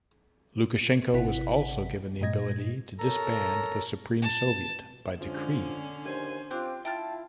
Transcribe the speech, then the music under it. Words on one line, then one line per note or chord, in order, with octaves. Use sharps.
Lukashenko was also given the ability to disband the Supreme Soviet by decree.
G#1 C3 E4 F#5 B6
G2 A#2 G#3 D#5 G#6 A#6
A4 A#4 C#5 A#5
A5
D3 F3 G#3 C#4 D4
D#2 C5 G#5
C4 F4 G4 D6 F#6
E4 F4 G5 A5 F6